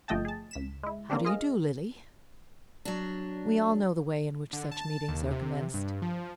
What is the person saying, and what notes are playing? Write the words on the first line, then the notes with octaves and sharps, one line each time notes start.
"How do you do, Lily?" We all know the way in which such meetings are commenced.
G1 F3 A3 D#5 G5 A5
G#4 A5
C#2 B6 E7
G#3 E4
A#3 C4 D4 G4
F4 G#4 D#5 F6
F#3 D4
D3
A5
D#2
C3
G2
F3